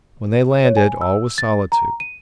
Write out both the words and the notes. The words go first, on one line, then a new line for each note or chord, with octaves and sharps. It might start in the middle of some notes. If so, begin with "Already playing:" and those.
When they landed, all was solitude.
C#5
G#5
E6
A6
A#5
D#7